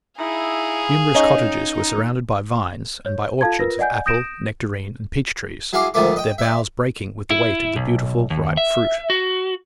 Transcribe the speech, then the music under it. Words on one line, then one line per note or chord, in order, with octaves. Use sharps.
Numerous cottages were surrounded by vines, and by orchards of apple, nectarine, and peach-trees--their boughs breaking with the weight of the beautiful ripe fruit.
D#4 E4 G#4 F5
C#4 D#4 D#5
C#5
F4 A4 F5 A5 G#6
F4 A#4 B4 A#6
D5 D#5 F#5 G#5 G6
D#6 G6 A#6 D7 E7
F#3 E4 G#4 F5 D6
D2 G#2 D#3 F3 A3 D6
D#5 G5
D5 E5
E4
B1
D#2
E5
F#4